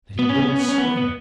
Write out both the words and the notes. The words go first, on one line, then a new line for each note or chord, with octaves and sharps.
"That he wouldn't swear."
B3
C#4
B3
C#4
B3
C#4
B3
B3